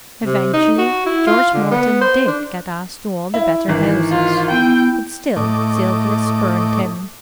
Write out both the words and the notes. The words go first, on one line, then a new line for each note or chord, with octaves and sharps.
Eventually, George Morton did get asked to all the better houses, but still Sylvia spurned him.
C3
D#4
F#4
E4
F4
D3
B3
C5
D4
E4
G#1 E3
F4
B3 E4 G5
A2 A3 D#5 D6